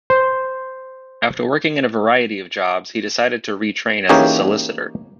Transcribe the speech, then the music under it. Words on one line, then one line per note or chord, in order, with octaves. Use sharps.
After working in a variety of jobs, he decided to retrain as a solicitor.
C5
E3 A#3 C#4 D#4 G4 G#4